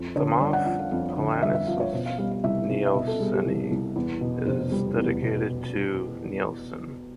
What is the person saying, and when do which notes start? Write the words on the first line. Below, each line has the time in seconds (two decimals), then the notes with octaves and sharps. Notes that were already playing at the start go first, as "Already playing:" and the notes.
The moth "Pollanisus nielseni" is dedicated to Nielsen.
Already playing: F2
0.16 D3 C#5
0.40 G1 D5
0.53 F#5
0.66 F3 F#5
0.79 F5
0.91 F2 F5
1.17 D3
1.32 D#5
1.42 G1 E5
1.55 E5
1.67 F3 F5
1.80 C#5
1.92 B2 C5
2.06 F5
2.18 G3 F5
2.31 F5
2.44 C2 E5
2.69 C2
2.86 E5
2.94 B2 D#5
3.07 A4
3.20 G3 G#4
3.33 G4
3.45 C2
3.71 C2
3.96 E2
4.21 B2
4.46 F1 C5
4.72 G3
4.98 E2
5.22 B2